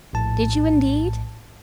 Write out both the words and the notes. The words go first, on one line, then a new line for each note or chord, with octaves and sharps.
"Did you indeed?"
A#1 A2 A5